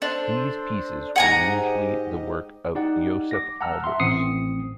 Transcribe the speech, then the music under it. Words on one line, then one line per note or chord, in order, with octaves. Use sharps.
These pieces were usually the work of Josef Albers.
D4 A4 C5
G#2 G4 D#5 F#5 G#5 A#5
D#4 G4 D5 F#5
D6 A#6
F#5 A5 A#5 E6 F6
E5 F#5 C6
A1 C4 D#6 C7 C#7